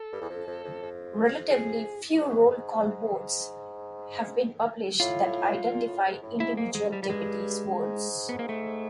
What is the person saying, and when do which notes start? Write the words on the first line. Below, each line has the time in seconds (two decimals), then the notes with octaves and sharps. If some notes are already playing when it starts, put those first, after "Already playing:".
Relatively few roll call votes have been published that identify individual deputies' votes.
Already playing: A4
0.12 G2
0.21 E2
0.29 F2
0.47 F2
0.64 F2
0.82 F2
1.51 G#4
2.21 G#2
5.00 A2 F4
5.70 A#2
5.87 A2
6.05 G#2
6.22 A2
6.40 G#2 E4
6.57 A#3
6.75 G#3
6.93 G3
7.03 G3
7.09 G2 G#3
7.79 G#2
8.29 B3
8.39 A#3
8.49 A3